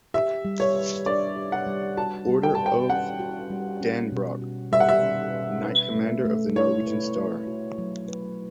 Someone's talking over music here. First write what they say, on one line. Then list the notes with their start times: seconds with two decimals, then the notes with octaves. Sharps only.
Order of Dannebrog, Knight Commander of the Norwegian Star.
0.14 G4 E5
0.45 G3
0.60 C#5
0.75 B4
1.06 D4 D5
1.36 G4
1.52 F#5
1.67 G3
1.97 F#4 A5
2.28 G3
2.43 G5
2.55 B4 A5
2.66 G5
2.89 C#4 F#5
3.20 F#4
3.50 G3
3.81 C#4
4.12 B2
4.42 F#4
4.72 G3 E5
4.80 F#5
4.89 E5
5.03 C#4
5.34 B2
5.64 B4
5.95 A3
6.25 A3
6.56 E4 C#5
6.87 B4
7.17 A3
7.47 F#4
7.78 F#3
8.08 B4